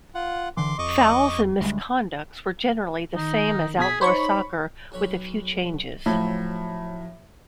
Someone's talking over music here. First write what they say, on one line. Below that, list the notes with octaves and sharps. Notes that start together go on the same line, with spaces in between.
Fouls and misconducts were generally the same as outdoor soccer with a few changes.
F4 F#5
D3 E3 C6 D6
F2 D#5 C#6 D6
D2 G3 G#3
D#3 D#4
B2 G#4 B6
D#4 C5 C#5 B5 C#6
B1 C#5 B5
A2 F3 F#3